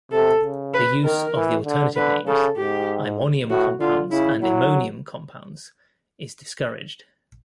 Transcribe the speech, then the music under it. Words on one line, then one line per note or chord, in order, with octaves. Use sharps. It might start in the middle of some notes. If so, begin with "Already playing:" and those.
The use of the alternative names imonium compounds and immonium compounds is discouraged.
C3 A4
C#3
B4
D#3 A#4
E3
D3
D3 B4
C#3 A4
G#2 G4
A2 F#4
D3 F4
C#3 E4
F#3 E4